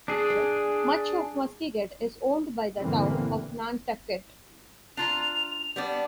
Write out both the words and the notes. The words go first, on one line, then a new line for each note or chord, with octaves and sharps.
Much of Muskeget is owned by the town of Nantucket.
D4 G#4
G2 A#2 D3 E3 A#3 C4
D4 F4 A#5 F7
G3 B3 D4